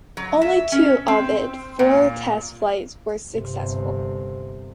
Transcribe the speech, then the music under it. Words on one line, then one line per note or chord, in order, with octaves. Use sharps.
Only two of its four test flights were successful.
F#3
E5
C#4
C4
A#2
G1 C3